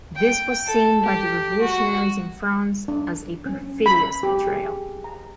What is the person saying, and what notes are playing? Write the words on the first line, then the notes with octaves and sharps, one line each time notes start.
This was seen by the revolutionaries in France as a "perfidious" betrayal.
G5
A4
G4
F#4
D4
C#4
B5
G4
G#4
A#5